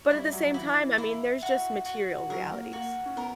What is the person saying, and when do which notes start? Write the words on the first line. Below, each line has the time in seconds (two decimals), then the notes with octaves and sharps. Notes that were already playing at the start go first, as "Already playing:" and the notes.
but at the same time, I mean, there's just material realities,
Already playing: C#5
0.10 G3 E4
0.28 G3
0.33 F#3
0.47 F#3
0.54 E3 E4
0.98 E4
1.42 F#4
1.85 F#4
2.30 F#3 A#4
2.51 A#3
2.73 A#3 F#4
3.06 C#4
3.17 B3 A#4